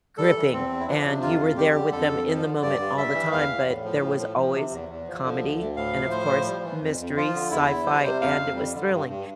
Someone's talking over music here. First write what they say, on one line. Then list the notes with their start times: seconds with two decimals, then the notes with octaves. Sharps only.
gripping, and you were there with them in the moment all the time, but there was always comedy, and of course, mystery, sci-fi, and it was thrilling,
0.18 G3 A4
0.35 E3
0.53 E2 C4
0.70 E2
0.80 E4
0.87 F3 D4
1.05 C3
1.22 F2 F4
1.39 F2
1.57 G3 G4
1.75 D3
1.92 F2 A4
2.09 F2
2.27 F3
2.45 D3
2.62 G2 D5
2.79 G2
2.97 G3 E5
3.14 E3
3.32 E2 F5
3.49 E2
3.68 A2
3.85 F3
4.02 A2
4.19 F3
4.37 F3
4.54 C3
4.72 E2
4.89 E2
5.07 F3
5.24 D3
5.41 D2
5.60 D2
5.77 A2 F5
5.95 F3
6.11 A2 C5
6.29 F3
6.46 G3
6.64 E3
6.81 F2
6.99 F2
7.17 F3 F4
7.34 D3
7.51 E2 E4
7.68 E2
7.86 G3 C5
8.04 C3
8.21 F2 F5
8.39 F2
8.56 G3
8.74 D3
8.91 G2
9.08 G2